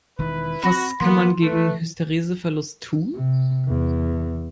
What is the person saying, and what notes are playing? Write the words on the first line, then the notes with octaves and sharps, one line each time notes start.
Was kann man gegen Hystereseverluste tun?
E1 D#3 E4 B4
C4 F#4 B5 A#6
E3 F3 A#3 B3 C6
A3 B4
C3
E2